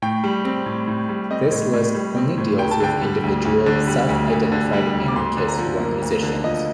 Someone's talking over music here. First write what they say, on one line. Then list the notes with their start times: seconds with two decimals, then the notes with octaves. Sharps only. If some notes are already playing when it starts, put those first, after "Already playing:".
This list only deals with individual, self-identified anarchists who are musicians.
0.02 A2 G5
0.24 G3
0.45 C4
0.66 A2
0.88 A2
1.09 G3
1.30 C4 D#5
1.52 A2
1.73 A2
1.95 G3
2.16 C4
2.38 A2
2.59 D2 G5
2.71 A5
2.80 D3 G5
3.01 G3
3.23 D2
3.45 D2
3.66 D3
3.88 G3
4.09 D2
4.30 D2
4.52 D3
4.73 G3
4.94 D2
5.08 D6
5.16 D2 C6
5.37 D3
5.48 A#5
5.58 F3
5.80 A#3
6.02 D2
6.23 D3
6.44 F3 D#5